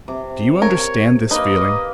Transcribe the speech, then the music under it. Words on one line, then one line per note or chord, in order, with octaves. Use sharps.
Do you understand this feeling?
C3 D6
A#4 C#5
A#3 D#4 B4 D#5